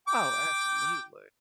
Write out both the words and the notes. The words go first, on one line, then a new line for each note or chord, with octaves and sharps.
Oh, absolutely.
G5 D6